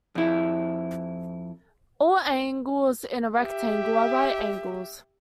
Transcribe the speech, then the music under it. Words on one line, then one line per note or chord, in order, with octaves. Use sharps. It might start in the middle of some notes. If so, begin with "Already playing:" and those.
All angles in a rectangle are right angles.
F2 E4
G4 E5